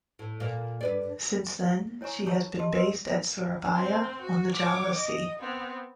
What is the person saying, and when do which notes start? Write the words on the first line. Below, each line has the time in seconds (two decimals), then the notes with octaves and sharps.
Since then, she has been based at Surabaya on the Java Sea.
0.19 A2
0.40 A#2 A#3
0.81 G2 B4 D5
2.01 E4 C#5 G#5 A#5 C#6
2.26 G#4 C#5 A5 A#5 C#6
2.59 G4 D#5 A5 C6
2.73 A#4 B4 D#5 C6
3.72 C4 C5
4.22 F#4
4.55 C#5 D6
4.97 D#5
5.40 B3 C4